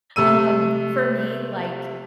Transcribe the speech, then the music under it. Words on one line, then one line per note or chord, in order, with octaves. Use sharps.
Um, for me, like,
C3 A3 E6 D#7